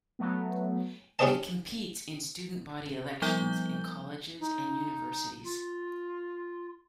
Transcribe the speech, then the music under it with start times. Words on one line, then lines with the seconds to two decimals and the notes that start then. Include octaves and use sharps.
It competes in student-body elections in colleges and universities.
0.19 F#3 A3 B3
1.19 C#4 D4 G4 C5 D#5 A5
3.22 F3 G3 B3 D#4 G6 G7
4.40 D#4
5.43 F4